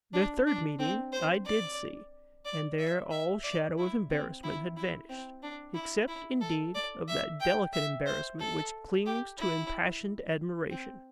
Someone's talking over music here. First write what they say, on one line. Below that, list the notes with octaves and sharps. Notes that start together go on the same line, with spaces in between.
Their third meeting I DID see; and there all shadow of embarrassment had vanished, except, indeed, of that delicate embarrassment which clings to impassioned admiration.
D4
D4
C4
C5
D5
D5
E5
E5
D5
E4
C4
E4
E4
C4
D4
E4
E4
A4
D5
E5
G5
E5
C5
A4
G4
E4
C4